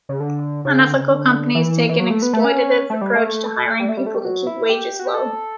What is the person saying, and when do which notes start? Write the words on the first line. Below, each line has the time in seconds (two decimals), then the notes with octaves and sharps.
Unethical companies take an exploitative approach to hiring people to keep wages low.
0.09 C#3
0.20 D3
0.65 C#3
0.80 D3
0.95 C#3
1.10 D3
1.55 E3
1.89 E3
2.00 F#3
2.11 A3
2.22 B3
2.33 A3
2.44 C#4
2.90 A3
3.01 G3
3.15 A3
3.80 G3
3.89 A3
3.97 G3
4.07 A3
4.15 G3
4.24 F#3
4.47 E4
4.69 G4
4.99 F#4
5.07 G4
5.14 A4